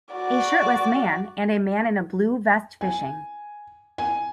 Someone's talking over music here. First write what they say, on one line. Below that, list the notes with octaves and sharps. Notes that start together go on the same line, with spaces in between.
A shirtless man and a man in a blue vest fishing.
F#4 D5
G#5
G#5